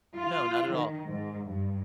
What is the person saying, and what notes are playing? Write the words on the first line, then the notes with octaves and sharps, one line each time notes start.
No. Not at all.
F4
D#3
G#2
G2